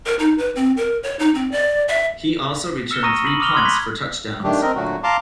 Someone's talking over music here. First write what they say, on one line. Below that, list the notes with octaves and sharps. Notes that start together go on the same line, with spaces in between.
He also returned three punts for touchdowns.
A#4
D#4
B4
C4
A#4
C#5
D#4
C4
D5
E5
E6 F6 C#7 E7 G7
A#5 C#6 D#6 A#6 D#7
B5 F#7
D6 D#6 F6 F7 G7
B5 C6 D6 F#6 G#6 F#7
B6
D#3 A3 D4 G4
C4 A#4 D#5
A#2 D3 F#3 A3 F#4
F5 A5 A#5 C6 D6